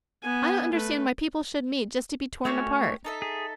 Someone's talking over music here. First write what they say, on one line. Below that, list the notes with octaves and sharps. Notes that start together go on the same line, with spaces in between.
I don't understand why people should meet just to be torn apart.
B3 G#5
A3 B4
A3 C#4 F#4 G4 C#5
D#4 A4 E5
G#4